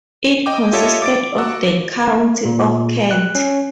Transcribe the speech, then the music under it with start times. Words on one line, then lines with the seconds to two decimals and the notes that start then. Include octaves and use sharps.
It consisted of the County of Kent.
0.46 D#5 G5 D6
0.73 F4 G4 A4 C#5 D#5 E5
1.02 D6 A6 D7
1.38 F#4 F#5 E6
2.45 A#2
3.11 F#6
3.35 C#4